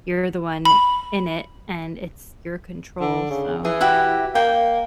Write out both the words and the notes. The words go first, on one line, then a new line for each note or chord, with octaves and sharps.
You're the one in it, and it's your control. So
B5
D3
C#3
E3 G#4
E4 F#4 G4
A#3 G5